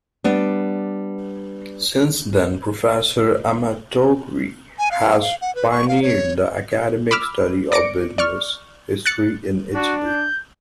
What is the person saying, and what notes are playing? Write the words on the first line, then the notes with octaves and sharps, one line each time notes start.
Since then, Professor Amatori has pioneered the academic study of business history in Italy.
G3 B3 D4
G#5
F5
F5
F5
F#5
B4
C#6
F5
C#5
B5 D6 E6 F6
D5 D6 A#6 C#7 D7
D5 C#6 F6
F#6 A6 C#7
D4 F#4
G6